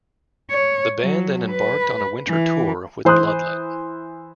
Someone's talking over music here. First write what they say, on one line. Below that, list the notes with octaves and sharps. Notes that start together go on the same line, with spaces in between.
The band then embarked on a winter tour with Bloodlet.
C#5
F#3
B4
E3
E3 C5 C6 D#6 F#6